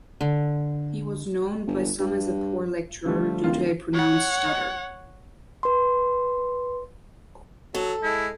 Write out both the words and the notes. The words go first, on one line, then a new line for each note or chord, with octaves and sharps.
He was known by some as a poor lecturer, due to a pronounced stutter.
D3
G1
G2
D3 F3 G3 A3
D1 D#3 F4
C#5 F#5
B4 C6
F#3 A4
G#3 E4